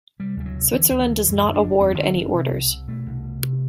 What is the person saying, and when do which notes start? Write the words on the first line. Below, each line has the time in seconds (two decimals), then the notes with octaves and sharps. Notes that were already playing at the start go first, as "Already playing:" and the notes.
Switzerland does not award any orders.
0.20 C3 G3
0.37 D2 G3
0.46 F#3
0.56 C3
0.72 D3 E3
0.91 D2
0.99 E3
1.08 D3
1.26 F#2 E3
1.44 D3
1.54 D4
1.63 F#1
1.80 E2 C4
1.98 D3
2.07 C4
2.16 F#1
2.34 C3 C4
2.51 C2
2.70 C3
2.87 B2 A3
3.06 C2
3.23 B2
3.42 C3